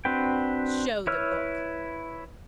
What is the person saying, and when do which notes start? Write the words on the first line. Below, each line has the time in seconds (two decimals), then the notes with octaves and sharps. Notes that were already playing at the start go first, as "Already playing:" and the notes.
"Show the book."
0.05 C4 D4 F#4 B4 G5
1.07 E4 B4 C#5 E6 F6